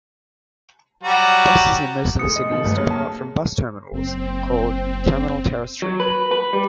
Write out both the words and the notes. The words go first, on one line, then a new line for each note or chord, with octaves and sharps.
Buses in most of the cities depart from bus terminals called "terminal terrestre".
F#3 G3 F#4
F1 A2 G#3 D#6 C#7
D#5
D#3 F3
E2 G2 G3 A3 B4
D2 F#3 A#3 G#4 C#5 F6
A5
F#1 C4
F#3
B4
B4
G3